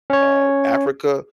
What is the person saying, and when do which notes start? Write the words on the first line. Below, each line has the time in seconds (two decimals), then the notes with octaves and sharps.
uh, Africa,
0.10 C#4 C#5